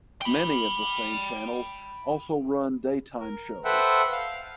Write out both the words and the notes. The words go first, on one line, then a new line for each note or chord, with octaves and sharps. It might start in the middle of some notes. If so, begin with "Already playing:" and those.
Many of the same channels also run daytime shows.
G5 B5
A#4
A4 B4 C5 E5 F#5 G5
F5